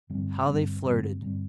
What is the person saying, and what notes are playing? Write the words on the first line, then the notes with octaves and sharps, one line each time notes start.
How they flirted!
G2 D3 G3 C4
G2 D3 G3 C4
G2 D3 G3 C4
G2 D3 G3 C4